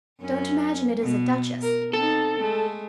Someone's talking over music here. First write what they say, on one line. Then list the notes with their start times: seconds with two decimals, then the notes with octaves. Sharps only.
Don't imagine it is a duchess.
0.20 F#2 C#4
1.02 B2
1.62 A#4
1.93 C4 D#4 A4
2.39 G#3 A3